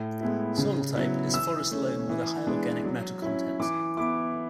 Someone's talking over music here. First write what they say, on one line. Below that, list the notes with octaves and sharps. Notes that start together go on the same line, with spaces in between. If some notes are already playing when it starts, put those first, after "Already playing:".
Soil type is forest loam with a high organic matter content.
Already playing: A2
G#3 B3 E4
C#3
F#3 B3 E4
E3 E6
A3 C#4
E3
G#3 B3 D4
F#3
C#4 E4
E3 D6
B3 E4 D6